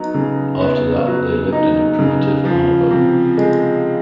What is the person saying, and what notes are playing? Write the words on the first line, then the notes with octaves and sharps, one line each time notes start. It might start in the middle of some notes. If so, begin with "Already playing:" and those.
After that, they lived in a primitive arbor.
Already playing: F#3 B3 D#4
C#3
B3
F#3
D#4
C#3
F3
C3
G#3